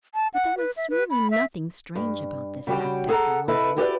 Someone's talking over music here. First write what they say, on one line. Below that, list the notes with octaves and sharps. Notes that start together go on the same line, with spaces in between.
But there was really nothing strange about this fact, after all.
A5
F#5
B4
E5
B4
B5
E5
G2
C#3 G3 F#4 G4 G5
G#4 A4 F#5 G#5 A#5
E4 A4 B4 D#5 E5
E4 F#4 G4 B4 C5 D5